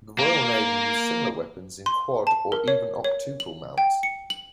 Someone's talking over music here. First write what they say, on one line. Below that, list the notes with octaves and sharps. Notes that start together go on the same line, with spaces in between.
The Royal Navy used similar weapons in quad or even octuple mounts.
A#3
C6
A5
A#4
C#5
C#5
F#7
G5
C#7
F#7